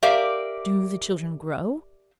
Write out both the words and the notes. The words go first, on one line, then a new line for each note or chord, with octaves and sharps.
Do the children grow?
G4 A#4 D5 E5 F5